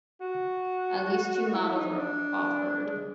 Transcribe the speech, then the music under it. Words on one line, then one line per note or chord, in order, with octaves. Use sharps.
At least two models were offered.
F#4
E4
D#4
D4
G#3